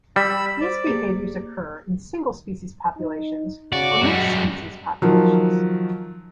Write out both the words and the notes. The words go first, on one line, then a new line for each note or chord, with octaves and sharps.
These behaviors occur in single species populations, or mixed species populations.
G3 B5 E6
C5 D5
A#3 G4 G#4
D#4
C#3 F#4 D5
F#2 G3 G#3
D#3 F3 F#3